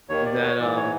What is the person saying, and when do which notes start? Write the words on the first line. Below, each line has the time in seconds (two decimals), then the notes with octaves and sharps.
that, um,
0.09 D#2 D#3 C#5
0.26 D5
0.42 C#5
0.59 G#2 E3 D5
0.77 C#5